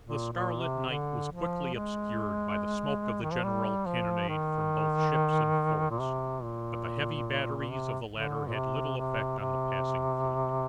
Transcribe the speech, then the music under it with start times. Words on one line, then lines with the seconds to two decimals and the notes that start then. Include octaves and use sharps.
The starlit night was quickly obscured by the smoke of the general cannonade from both ships and forts; but the heavy batteries of the latter had little effect on the passing fleet.
0.04 A#2
0.32 A#2
0.60 C3
0.89 D3
1.31 F3
1.74 G#3
3.22 D#3
3.32 F3
3.44 G3
3.86 F3
4.29 D#3
5.90 A#2
5.99 C3
6.42 A#2
7.69 C3
8.12 D3
8.47 A#2
8.54 C3
8.97 C3
9.39 C3